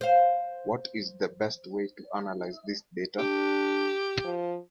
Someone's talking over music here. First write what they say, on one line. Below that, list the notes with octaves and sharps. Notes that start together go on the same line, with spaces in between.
What is the best way to analyze this data?
C5 F5
D4 G4
F3